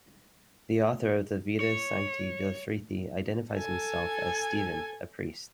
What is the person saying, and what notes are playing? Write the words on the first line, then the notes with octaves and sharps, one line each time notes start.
The author of the "Vita Sancti Wilfrithi" identifies himself as "Stephen, a priest".
C#5
A4 G#5